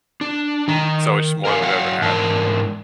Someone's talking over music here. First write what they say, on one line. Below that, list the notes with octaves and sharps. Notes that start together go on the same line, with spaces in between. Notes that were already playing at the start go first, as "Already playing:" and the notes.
so it's more than we've ever had,
D4
D#3 A#5
A#4 F5 G#5
F#3 F5 F#5
G#2 E3 D4 A#4 A5